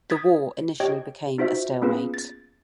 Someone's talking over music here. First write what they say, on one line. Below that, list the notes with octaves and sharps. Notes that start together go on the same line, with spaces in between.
The war initially became a stalemate.
D#6 G#6 A6 B6
G4 C#5 D#5 G5 G#6
D#4 F4 F#4 C5 E5
A#3 B3 C#4 F4 G#4 B4
A6